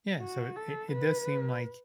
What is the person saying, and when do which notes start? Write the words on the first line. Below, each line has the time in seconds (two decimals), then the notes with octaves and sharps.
Yeah, so it it does seem like,
0.19 F#4
0.56 A4
0.92 B4